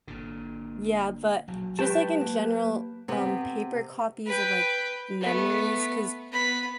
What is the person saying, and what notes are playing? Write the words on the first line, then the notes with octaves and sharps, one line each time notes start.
Yeah, but, just, like, in general, um, paper copies of, like, memories, 'cause
G#1 A#2 D3
A#1 F#3
G#3 G4 B4 G5 A5
A#3
C3 B3
B4 G5
A3 B3
B3 B5